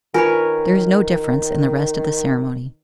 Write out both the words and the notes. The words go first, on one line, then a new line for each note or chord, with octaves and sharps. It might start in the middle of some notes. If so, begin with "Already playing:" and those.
There is no difference in the rest of the ceremony.
D#3 D4 F4 A#4 B4 C#5 G#5